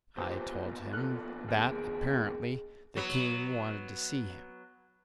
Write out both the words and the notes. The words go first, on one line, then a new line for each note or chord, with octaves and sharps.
I told him that, apparently, the king wanted to see him.
B1 A#2 G4 B4 C5
A4 F6 F#6
D#2 G#4 D7
F#3 B3